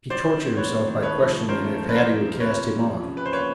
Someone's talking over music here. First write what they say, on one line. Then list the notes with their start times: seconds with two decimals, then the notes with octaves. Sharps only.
He tortured himself by questioning if Hattie would cast him off.
0.10 F#3 C5 D5
0.26 D#3
0.41 C3
0.56 A#3 B4 C#5
0.72 F#3
0.87 D#3
1.02 A3 B4 C#5
1.18 F3
1.33 G#2
1.49 C#4 A#4 C5
1.64 A3
1.79 F3
1.89 B4
1.94 E3 A#4 C5
2.10 C3
2.26 F2
2.40 F2 B4 C#5
2.56 E3
2.72 C3
2.87 F3
3.02 C#3
3.17 D2 B4
3.26 C5
3.33 A#3 B4 C#5